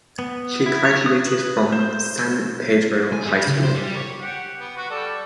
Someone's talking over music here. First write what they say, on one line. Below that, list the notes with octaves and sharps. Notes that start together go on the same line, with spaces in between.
She graduated from San Pedro High School.
B3
E4
C#5
D#6
B4
C5
G#5
G3
C#3
C5
G3
C#5
G4 F#5
B3
F#4 B4
G3 A4 D5